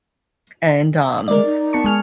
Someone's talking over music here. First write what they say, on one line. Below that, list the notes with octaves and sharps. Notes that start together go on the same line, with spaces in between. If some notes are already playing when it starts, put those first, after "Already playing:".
and, um,
G#3 A#4 D5
D#4
B3 A5 C#6
G#3 G#5 F6